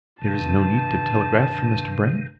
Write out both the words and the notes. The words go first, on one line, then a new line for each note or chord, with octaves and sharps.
"There is no need to telegraph for Mr. Brand?"
G2 C3 D#3 A5